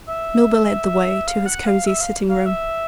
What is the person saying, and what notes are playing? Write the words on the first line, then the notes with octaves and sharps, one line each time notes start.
Milburgh led the way to his cosy sitting-room.
E5
F5
F#5
F5
E5
F5
F5
E5